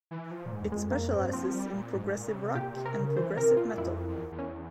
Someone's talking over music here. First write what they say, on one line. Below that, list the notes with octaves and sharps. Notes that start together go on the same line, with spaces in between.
It specializes in progressive rock and progressive metal.
E3
F3
A#2
G#2
E2
F2 G#3
G2
F2 A#3
G2 C4
F3 C4
G3
A#2
G#2
A#2
C#3
C3
A#2 G4
C3
A#4
C#3
E3 C5
C3 A#4
G#2
A#2 F4
F2 E4
F2
E2
E2
C#4